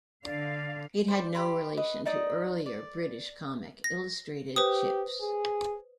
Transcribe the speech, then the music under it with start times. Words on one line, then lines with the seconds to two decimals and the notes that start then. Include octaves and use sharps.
It had no relation to earlier British comic "Illustrated Chips".
0.24 D3 D5 F5
1.08 C5 D5
1.35 G4 B5 C6
1.77 B4 D#5
2.06 D#4 D5 D#5 D#6
2.66 D5
3.84 A#6
4.56 G4 B4 C5 D#6
5.21 G#4